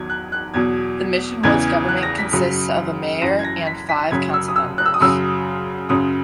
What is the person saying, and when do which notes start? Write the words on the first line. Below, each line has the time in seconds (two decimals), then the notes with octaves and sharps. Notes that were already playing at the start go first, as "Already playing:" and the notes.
The Mission Woods government consists of a mayor and five council members.
Already playing: E2 D#3 F#3 G#6
0.09 F#6
0.32 F#6
0.54 E2 B2 F#3 G#6
1.43 E2 C#3 E3 G#6
1.88 F#6
2.03 A#6
2.18 B6
2.33 F#2 C#3 F#3
3.22 F#2 E3 A#6
3.39 G#6
3.44 A#6
3.66 B6
3.89 B6
4.11 F#2 C#3 F#3 G#6
4.34 E6
4.48 D#6
4.56 E6
4.78 F#6
4.86 E6
4.94 D#6
5.01 F#2 C#3 F#3 E6
5.89 F#2 C#3 F#3 D#6